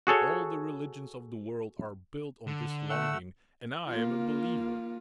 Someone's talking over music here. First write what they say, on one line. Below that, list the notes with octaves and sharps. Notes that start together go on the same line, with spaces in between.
All the religions of the world are built on this longing, and I am a believer.
F#4 G#4 A4 C#5
D3
A3 F#5 E6
A#3 F4